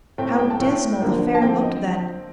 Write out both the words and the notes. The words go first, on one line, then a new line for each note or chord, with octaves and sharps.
How dismal the fair looked then!
A2 A3 C4 G5
G5
A5
A2 A3 C4 G5
D3 F3 A#3 D4
A5
D3 F3 C4 G5
D#5